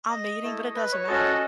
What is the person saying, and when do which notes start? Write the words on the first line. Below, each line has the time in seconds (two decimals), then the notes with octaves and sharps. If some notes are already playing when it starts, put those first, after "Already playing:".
I'm meeting, but it doesn't matter.
0.09 D#5
0.42 A3 E4 A4
0.75 B4
0.92 C#5
1.08 C#4 F#4 A4 D#5